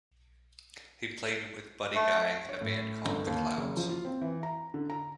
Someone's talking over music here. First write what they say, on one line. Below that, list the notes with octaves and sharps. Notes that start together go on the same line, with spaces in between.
He played with Buddy Guy in a band called the Clouds.
A3
C#5
A2
G1
D#2
F#1
F3
F4
C4
E3
A#5
D3
A#5